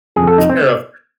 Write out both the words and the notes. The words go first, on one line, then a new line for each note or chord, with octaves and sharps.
take care of.
F2 G#4
A4
D#4
C4